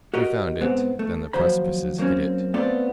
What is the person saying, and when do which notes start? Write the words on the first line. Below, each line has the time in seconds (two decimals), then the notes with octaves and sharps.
We found it; then the precipices hid it.
0.14 F#4 G4 A#4 D#5
0.61 G#2 B3 C4
0.99 A3
1.33 D#2 F3 F#3 C5 B5
1.98 F#2 A#3 C4 C#4
2.54 A3 B3 C4 F4 A4 D5